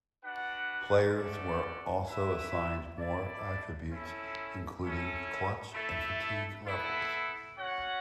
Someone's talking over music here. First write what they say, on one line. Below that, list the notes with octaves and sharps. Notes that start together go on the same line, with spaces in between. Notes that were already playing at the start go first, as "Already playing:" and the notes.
Players were also assigned more attributes, including clutch and fatigue levels.
D4 F#4 B4 F#5
A3 C#4 F#4 A4 D5
E4 B4 E5
E4 A4 D5
C#4 E4 A4
C#4 E4 A4
A3 E4 A4
B3 E4 A4
C#4 F#4 C#5 F#5